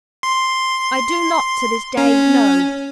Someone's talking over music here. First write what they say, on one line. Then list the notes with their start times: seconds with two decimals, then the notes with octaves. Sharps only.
I do not to this day know.
0.23 C6
1.97 C#4